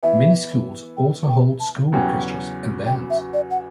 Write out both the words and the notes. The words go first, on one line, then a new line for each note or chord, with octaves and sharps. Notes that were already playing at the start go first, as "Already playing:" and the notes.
Many schools also hold school orchestras and bands.
E3 B3 E4 E5
G5
G5
A5
E2 C#3 F#3 C#4 F#4 G5
G5
E5
D5
F#5